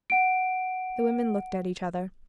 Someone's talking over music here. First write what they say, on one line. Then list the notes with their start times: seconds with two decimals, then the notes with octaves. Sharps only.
The women looked at each other.
0.10 F#5 D7